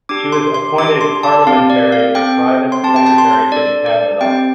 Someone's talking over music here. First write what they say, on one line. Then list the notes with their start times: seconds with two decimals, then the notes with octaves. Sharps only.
She was appointed Parliamentary Private Secretary to the Cabinet Office.
0.09 D4 G4 D6
0.32 C6
0.54 C6
0.78 D4 G4 D6
1.01 C6
1.23 A5
1.47 C4 G4 F5
1.70 D5
1.92 F5
2.15 C4 A4 G5
2.72 C6
2.84 C4 G4 A5
2.96 G5
3.06 A5
3.18 C6
3.52 D4 A4 D5
3.86 D5
4.21 C4 G4 G5